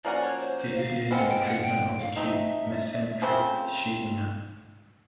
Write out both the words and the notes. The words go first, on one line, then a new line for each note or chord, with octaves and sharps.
It is used in the treatment of acute mesenteric ischemia.
F3 A#3 C#4 F#4 D5
C#5
C5
C5
F5
F5
B2 G#3 C4 F4 F#5
G5
F#5
G5
F5
F#3 A3 C4 D#4 E5
C#3 F3 A3 C4